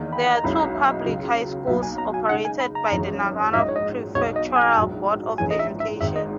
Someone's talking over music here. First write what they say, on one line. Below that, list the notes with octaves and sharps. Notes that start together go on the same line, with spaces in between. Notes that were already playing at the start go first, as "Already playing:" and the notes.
There are two public high schools operated by the Nagano Prefectural Board of Education.
Already playing: E2 D#3 A#3 D#4
B5
A#5
B1 B2 G#3 C#4 E4 B5
A#5
E5
D#5
C#2 C#3 F#3
B1 B2 F#3 A#3 E5
G#5
A#5
G#5
C#3 G#3 D#4 F#5
G#5
B5
A#5
G#1 F#2 E3 G#3
A#1 G#2 F#3 C#4 E5
D#5
C#5
D#5
B1 B2 G#3 D#4 G#4 C#5
D#5
G#5
A#1 G#2 F#3
A#1 G#2 E3 G#3 C#4 G#5
D#5
E5
E5
G#1 G#2 D#3 E5
D#5